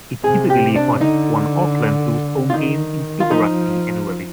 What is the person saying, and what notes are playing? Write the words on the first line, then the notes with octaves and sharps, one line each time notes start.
It typically hosts one Auckland Blues home game in Super Rugby annually.
C3 G#4
G4
D4
D3 D#4
F4
D#3 D#4
F4
F3 D#4